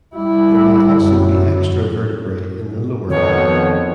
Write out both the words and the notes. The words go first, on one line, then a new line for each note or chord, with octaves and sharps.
There may also be extra vertebrae in the lower back.
G3 E4
F#2
F2 B2 D#3 C#5